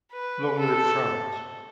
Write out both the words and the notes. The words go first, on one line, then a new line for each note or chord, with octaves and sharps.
Long live France!
B4
A4